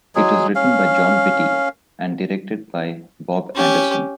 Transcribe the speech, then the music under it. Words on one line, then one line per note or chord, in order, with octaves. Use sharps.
It was written by Jon Vitti and directed by Bob Anderson.
F#3 G#3 G#4
C#4 F5
C#4 G4